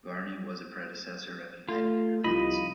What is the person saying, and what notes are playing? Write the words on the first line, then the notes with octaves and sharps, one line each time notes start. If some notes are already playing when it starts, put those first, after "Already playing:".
Varney was a predecessor of United Air Lines.
A3 F4
C2 F3 D#4 F4 D#5 B5